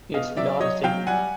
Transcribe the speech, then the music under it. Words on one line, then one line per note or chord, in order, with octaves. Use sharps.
it's the oddest thing.
B2 D#5 F5
F#3 D5 E5
F#3 C#5 D#5
F#3 F5 G5
G3 F#5 G#5